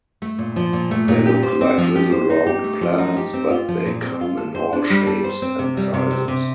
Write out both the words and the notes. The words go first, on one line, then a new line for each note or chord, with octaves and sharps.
They look like little round planets but they come in all shapes and sizes.
A3
A#2
F3
A#2
A3
A#2
G4
C5
C4
F3
G4
C5
D#4
G4
A3
F3
D#4
G4
C4
F4
F3
A#2
C4
F4
A4
C5
D4
G3
A4
C5
C4
C3
G3
C3
C4
C3